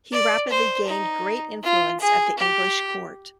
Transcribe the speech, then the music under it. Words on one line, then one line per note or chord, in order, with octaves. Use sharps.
He rapidly gained great influence at the English court.
D5
C5
D#4
F4
G#4
G4